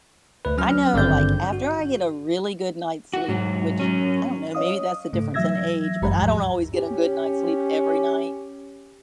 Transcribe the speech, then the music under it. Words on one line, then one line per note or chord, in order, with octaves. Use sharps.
I know, like, after I get a really good night's sleep, which I don't know, maybe that's the difference in age, but I don't always get a good night's sleep every night,
D2 B4
F#3 C#4 F6
G#1 G2 D3 C4 D5 G6
F#4
F#4
G#2 F#3
F#3 C#4
C#5 D#5 F5 D#6
G#2 C#3 A3
E3 F#3 E5 E6 G#6 A#6
G1 F#2 G#3 G4 A#5 B5
D#2 G#2 F3
C#4 G4